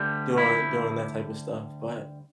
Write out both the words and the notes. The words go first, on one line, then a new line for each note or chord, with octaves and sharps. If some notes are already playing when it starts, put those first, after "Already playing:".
doing doing that type of stuff, but
Already playing: D2 D3 G3
E4